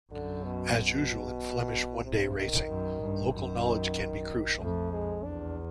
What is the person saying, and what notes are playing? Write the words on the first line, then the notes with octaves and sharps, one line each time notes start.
As usual in Flemish one-day racing, local knowledge can be crucial.
F#2 D3
B2
B2
C3
D#3
F#2
G2
F#2 D#3
F2 A3
G#3
E2 D4